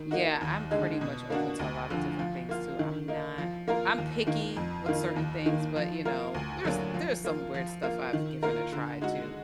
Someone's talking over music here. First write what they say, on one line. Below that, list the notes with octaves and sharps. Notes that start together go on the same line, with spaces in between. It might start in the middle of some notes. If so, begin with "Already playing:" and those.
Yeah, I'm pretty much open to a lotta different things too. I'm not I'm picky with certain things, but you know, there's there's some weird stuff I've given a try too.
Already playing: D#3
A#3 D#4 F#4
D#2
D3 G#3 D#4 G#4
B2
A#3 D4 F#4
D2
D3 F3
F3
A#3 F4
D#3
A#3 D#4
F3
A#3 F4 A#4
D#2
D#3 A#3
F2
D#3 A#3 F4
D#2
D#3 A#3
F3
A#3 F4 A#4
D2
D3 F#3 A#3 D4
F3
A#3 F4
F3
A#3 F4
D#3
A#3 F4 A#4
D3
G#3 D#4 F#4